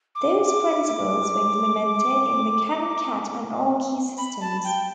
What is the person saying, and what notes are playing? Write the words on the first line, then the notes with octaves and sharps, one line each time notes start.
Those principles were implemented in the Canon Cat and Archy systems.
D6
D6
B5
A5
G5